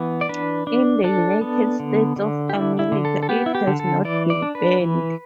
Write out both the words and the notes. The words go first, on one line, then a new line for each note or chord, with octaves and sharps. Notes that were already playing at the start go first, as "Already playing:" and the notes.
In the United States of America, it has not been banned.
Already playing: E3 B3
D5
D4 B4
D4
D4 A4
B3
D3
D3
G4
D4 E4
E4
D3
A4
A4
B3 G4
E4
G4
D3
A4
E3 D5
D5
D4
B4
E3